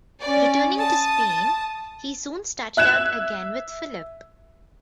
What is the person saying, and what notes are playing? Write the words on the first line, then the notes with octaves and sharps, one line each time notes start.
Returning to Spain, he soon started out again with Philip.
C#4 D5
A5 D#6
E5 F#6 G#6 E7